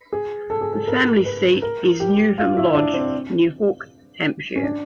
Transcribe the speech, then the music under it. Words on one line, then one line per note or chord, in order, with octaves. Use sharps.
The family seat is Newham Lodge, near Hook, Hampshire.
G#4
A4
G#4
A4
A#4
B4
A#4
G4
F4
E4
D4
C4
C#4
D4